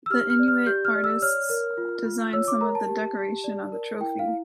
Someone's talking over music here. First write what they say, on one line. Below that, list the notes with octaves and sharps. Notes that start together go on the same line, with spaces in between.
The Inuit artists designed some of the decoration on the trophy.
E6
G4 F6
F6
D5
F6
G4 G6
F6
D5
E6
C#5 F6
A#4
F4
F4
C#5 E6
D6
A#4 A#5
A5
G4
G4
D5
A#4
E4 G5
F5
E4